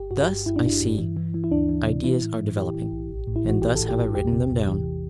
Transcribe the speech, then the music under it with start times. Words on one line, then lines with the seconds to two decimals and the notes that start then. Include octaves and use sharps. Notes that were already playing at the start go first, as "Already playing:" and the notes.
Thus, I see, ideas are developing, and thus have I written them down.
Already playing: G1 G4
0.11 G2 F#4
0.20 G4
0.29 G2
0.46 G2 E4
0.56 D4
0.64 G1 E4
0.81 G2
0.98 E3
1.17 E3
1.34 E3
1.44 E4
1.51 D2 D4
1.69 E3
1.87 C3
2.04 E3 E4
2.22 A2
2.39 E3
2.57 E3 G4
2.75 E3
2.92 B1
3.10 A1
3.27 A2
3.36 E4
3.45 E3 F#4
3.62 A1 G4
3.75 A2 A4
3.89 G4
3.97 A1
4.15 E2 G4
4.33 C3
4.50 E2
4.67 E3